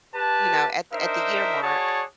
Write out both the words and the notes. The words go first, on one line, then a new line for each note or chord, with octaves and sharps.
you know, at at the year mark,
G4 B4 A5
D4 D#4 A#4 C5 E5
F#4 G#4 C#5 D5 F#5 A5